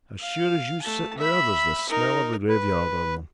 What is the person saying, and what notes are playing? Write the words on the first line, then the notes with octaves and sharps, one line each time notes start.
As sure as you sit there, there's the smell of the graveyard on them.
F5
A3 A5
E5 B5
D#4 A#4
B4